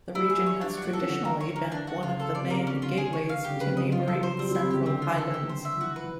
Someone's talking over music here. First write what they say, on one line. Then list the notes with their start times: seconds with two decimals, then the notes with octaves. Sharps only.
The region has traditionally been one of the main gateways to neighbouring Central Highlands.
0.15 G3 E4
0.30 G#4
0.38 F#3
0.46 C#5
0.61 D4
0.77 F#4
0.85 F3
0.93 E3 A4
1.08 D3 F#4
1.25 A#4
1.40 C#5
1.56 A#3
1.72 D4
1.87 F#4
2.03 C#3 F4
2.20 A4
2.35 D5
2.42 C3
2.50 C#3 A#3
2.67 C#4
2.74 D3
2.82 F4
2.97 G#4
3.13 C#5
3.29 F5
3.45 G4
3.50 D3
3.56 C#3
3.60 B4
3.69 C3
3.77 C#3 D#5
3.92 F3 F4
4.08 F3 A4
4.16 F#3
4.23 C5
4.39 G3 C4
4.51 F#3
4.55 E4
4.63 C3
4.71 C#3 G4
4.86 D3 C4
5.02 F4
5.18 A4
5.34 G4
5.49 C5
5.65 E5
5.75 F3
5.81 E3 F#4
5.96 B4
6.04 E3